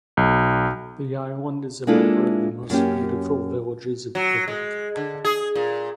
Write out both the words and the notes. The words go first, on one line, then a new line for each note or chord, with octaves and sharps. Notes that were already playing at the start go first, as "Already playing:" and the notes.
The island is a member of the Most Beautiful Villages of Quebec.
B1
G#3 A#3 D4 E4 F4 A4
F#2 A#3 C#4 G4
F#3
G#3
D3
G#4
A#2